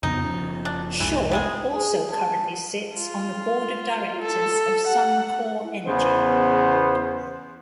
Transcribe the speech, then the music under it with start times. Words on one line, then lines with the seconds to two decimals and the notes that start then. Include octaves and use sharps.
Shaw also currently sits on the board of directors of Suncor Energy.
0.03 F2 C#3 B3 D#4
0.25 F#1 F3 C#4
0.65 D4
1.00 F1 C2 G#2 E3
1.32 G3 G#3 G#4
1.75 G#4
2.12 A5
2.95 F4
4.21 A4
4.87 F#5
5.85 E2 C#3 B3 C5